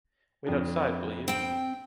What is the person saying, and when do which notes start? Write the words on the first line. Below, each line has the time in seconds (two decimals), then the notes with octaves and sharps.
Wait outside, will you.
0.46 F2 D4
1.28 C4 G5